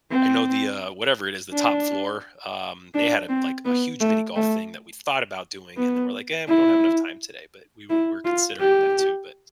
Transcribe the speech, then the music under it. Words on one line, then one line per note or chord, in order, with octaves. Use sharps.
I know the uh, whatever it is, the top floor, um, they had a like, a huge mini golf thing that we thought about doing, and then we're like, "Yeah, we don't have enough time today," but we were we're considering that too, but,
C4
D4
D4
C4
B3
A3
A3
B3
E4
E4
F4
G4